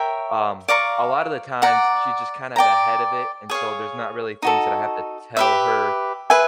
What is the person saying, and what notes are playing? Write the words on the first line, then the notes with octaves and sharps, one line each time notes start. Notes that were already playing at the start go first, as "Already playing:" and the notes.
um, a lotta the times she's just kind of ahead of it and so there's not really things that I have to tell her,
Already playing: A#4 C#5 E5 G5
D5 F5 A#5 C#6
D5 F#5 A#5
D5 G5 A#5
G#4 C#5 F5
D#4 F#4 A4
G4 B4 E5
G#4 B4 E5 G#5